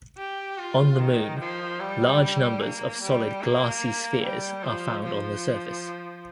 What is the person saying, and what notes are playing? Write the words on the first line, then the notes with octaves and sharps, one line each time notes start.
On the Moon, large numbers of solid glassy spheres are found on the surface.
G4
F4
D#3
F3
G3
A#3
G3
A#3
G3
F3
F3